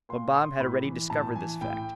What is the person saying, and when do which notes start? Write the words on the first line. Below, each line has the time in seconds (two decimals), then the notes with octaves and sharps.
But Bob had already discovered this fact.
0.09 A#2 C6
0.35 C6
0.60 A2 B5
0.85 E3
1.10 A2 A5
1.35 E3 G#5
1.61 A2 G5